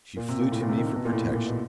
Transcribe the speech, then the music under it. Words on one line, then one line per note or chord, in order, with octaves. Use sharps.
She flew to me for protection.
A#2
C3
A#2
A2
A#2
C3
D#3
C3
B2
A#2
A2
A#2
B2